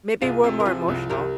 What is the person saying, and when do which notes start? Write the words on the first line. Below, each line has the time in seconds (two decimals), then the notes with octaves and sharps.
maybe we're more emotional.
0.22 C2 F4 G#4
0.44 C3
0.60 A#4
0.66 F3 F4 G#4
0.88 C2
1.10 C2 G4 A#4